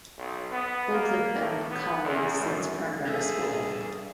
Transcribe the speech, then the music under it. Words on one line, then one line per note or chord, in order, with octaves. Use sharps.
Both has been colleagues since primary school.
B1
B3
A#3
A2
B3
E2
F#2
G2 D4 G#4 A4 E5